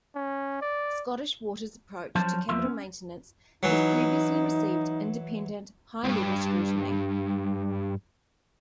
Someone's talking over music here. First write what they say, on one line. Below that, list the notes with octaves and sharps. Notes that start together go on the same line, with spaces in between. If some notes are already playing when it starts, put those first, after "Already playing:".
Scottish Water's approach to capital maintenance has previously received independent, high level scrutiny.
C#4
D5
F3 F#3 C#4 C5 A5
E2 F3 A#3 E5 C6
C#4
E3 F#3 D#4
C#2 G2